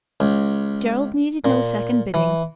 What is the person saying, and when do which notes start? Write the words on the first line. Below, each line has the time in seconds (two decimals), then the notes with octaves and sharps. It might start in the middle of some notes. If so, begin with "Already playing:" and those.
Gerald needed no second bidding.
0.20 C#2
1.45 A#2
2.14 E3